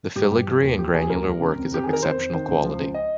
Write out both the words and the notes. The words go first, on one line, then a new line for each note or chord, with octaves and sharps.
The filigree and granular work is of exceptional quality.
G2 G4
G2
F3
D#2
F3 G4
D#2 G#4
C#2 A#4
F3
C#2
F2
F2 G4
D#3 G#4
A#4
F2 C5
F2
D#3
C#2
F3
C#2
D#5